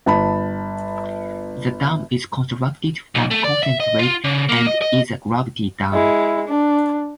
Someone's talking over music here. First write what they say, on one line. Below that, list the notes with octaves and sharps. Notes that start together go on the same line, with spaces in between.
The dam is constructed from concrete and is a gravity dam.
G1 A5 B5
B1
A3
D5
E5
D#5
F4
C#3
A#3
D#5
D#5
G#3 E4
D4